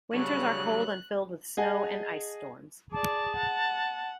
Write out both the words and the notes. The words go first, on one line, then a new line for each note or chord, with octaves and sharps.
Winters are cold and filled with snow and ice storms.
C#3 F#3 G3 D4 C#5 F#6
G#4 D#5 F#5 G#5 A5
G#4 D5 A5
F#5